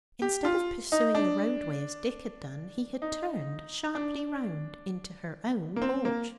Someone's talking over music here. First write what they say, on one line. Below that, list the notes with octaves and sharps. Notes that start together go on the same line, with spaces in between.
Instead of pursuing the roadway as Dick had done he had turned sharply round into her own porch.
G4
F4
D#4
D4
D#4
D4
A#3
C4
A#3